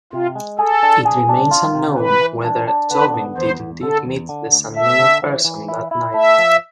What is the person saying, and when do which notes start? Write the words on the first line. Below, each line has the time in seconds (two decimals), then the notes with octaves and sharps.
It remains unknown whether Jovin did indeed meet this unnamed person that night.
0.13 C3 F4
0.35 G#3
0.59 G#4 A4
0.83 D4
1.05 G#4
1.29 D4
1.51 F4
1.75 C3
1.98 E3 B4
2.21 E3
2.44 D4
2.67 D4
2.91 D3 B4
3.14 B3
3.37 E2 C5
3.60 E2
3.83 D3 A4
4.06 E2
4.29 D3
4.53 D2
4.75 A3 E5
4.99 D3
5.23 E3
5.45 E3
5.68 E4
5.91 E4
6.14 A3 E5
6.38 F3